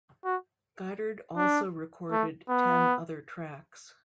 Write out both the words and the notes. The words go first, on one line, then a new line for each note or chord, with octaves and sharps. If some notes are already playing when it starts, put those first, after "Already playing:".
Godard also recorded ten other tracks.
F#4
D4
A3
B3